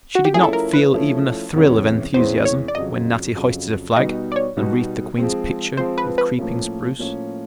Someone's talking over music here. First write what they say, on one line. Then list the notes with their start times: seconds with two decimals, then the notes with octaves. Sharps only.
She did not feel even a thrill of enthusiasm when Natty hoisted a flag and wreathed the Queen's picture with creeping spruce.
0.15 F#4
0.25 G4
0.33 F3 A3 C#4 E4 G#4
0.43 A4
0.53 A#4
0.73 B4
0.94 F3 A3 C#4 E4
1.54 E2 C3 E3 G#3 C#4
2.14 E2 C3 E3 G#3 C#4 C5
2.45 C#5
2.68 D5
2.75 F2 C#3 F#3 D#5
3.36 F2 C#3 F#3
3.96 B2 G3 B3 D#4 F#4 D#5
4.32 D5
4.36 C#5
4.57 B2 G3 B3 D#4 F#4
5.17 F3 G#3 C4
5.77 F3 G#3 C4 C5
5.98 B4
6.18 B4
6.39 A2 F3 A#3 C#4
6.99 A2 F3 A#3 C#4